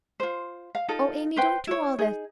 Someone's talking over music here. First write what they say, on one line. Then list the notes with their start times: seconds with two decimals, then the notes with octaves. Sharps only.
'O Amy, don't do all this.
0.20 F4 C5
0.75 F5
0.88 D#4 F4 A4
1.36 B4 C5 G5
1.67 E4 C#5
1.99 D#4 G#4